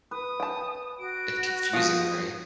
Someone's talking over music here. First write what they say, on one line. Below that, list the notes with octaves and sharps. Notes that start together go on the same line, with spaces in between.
It's confusing, right?
B4 D#6
G5 A5
F#4 D7
F3 G#3 F4 D#6